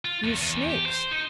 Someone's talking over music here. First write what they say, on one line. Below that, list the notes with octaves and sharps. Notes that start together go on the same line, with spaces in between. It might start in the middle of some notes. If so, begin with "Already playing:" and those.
You snakes!
F4
E2
E2
G4
C5
D#4